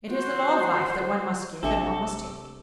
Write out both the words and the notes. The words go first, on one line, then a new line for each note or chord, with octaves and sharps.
It is the law of life that one must give, and one must take.
F#4 C5
A1 C3 A3 D4 A4 E5 C#6